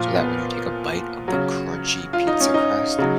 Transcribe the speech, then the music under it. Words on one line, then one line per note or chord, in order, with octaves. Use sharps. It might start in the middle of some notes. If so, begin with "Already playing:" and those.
so that when you take a bite of the crunchy pizza crust,
Already playing: A#2 F3 F4
B3
C#3 F#3
F4
D#4
C#4
D#4
C#3 F#3